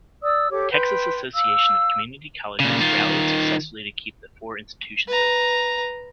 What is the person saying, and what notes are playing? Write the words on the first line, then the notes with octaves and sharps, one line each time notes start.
The Texas Association of Community Colleges rallied successfully to keep the four institutions open.
D5 D#6 E6
G4 A4 C#5 D6
B4 G5 C6 G6
F5 E6
A#2 C#3
D#3 F4
B4 A#5